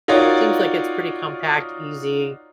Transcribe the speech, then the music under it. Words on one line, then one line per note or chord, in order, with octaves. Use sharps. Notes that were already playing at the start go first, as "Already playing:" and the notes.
seems like it's pretty compact, easy,
D#4 F4 F#4 A#4 C#5 D5